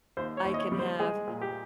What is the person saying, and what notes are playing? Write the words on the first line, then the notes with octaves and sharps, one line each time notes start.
I can have
D#2 C5
C#5
D#2
D#5
C#5
G3
C5
G#3 G#4
A#2
G4